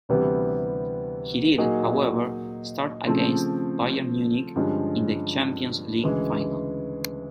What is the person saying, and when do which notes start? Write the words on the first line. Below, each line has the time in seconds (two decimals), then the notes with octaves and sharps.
He did, however, start against Bayern Munich in the Champions League final.
0.09 D2 C3 E3 G3 B3
1.58 A#2 F#3 A#3 D#4 G#4
3.07 C#3 F3 A3 C4
4.56 G2 D3 F3 G#3 C#4
6.04 D2 C#3 E3 G#3